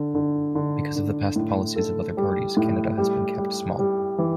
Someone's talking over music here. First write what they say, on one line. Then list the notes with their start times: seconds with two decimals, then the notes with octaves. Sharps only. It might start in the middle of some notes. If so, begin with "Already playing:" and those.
Because of the past policies of other parties, Canada has been kept small.
Already playing: D3
0.15 D3
0.55 D3
0.96 D3
1.36 A2
1.76 A4
2.17 G3
2.57 A2
2.97 G3
3.38 G3
3.79 G3
4.18 E3